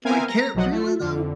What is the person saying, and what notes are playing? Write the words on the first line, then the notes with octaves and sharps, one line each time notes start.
like, can it really, though?
B3 C4 A#4 E5 F5 G#5
A#5 A#6
B1 F3 F#3 D#5 F#5
A3
F2 D3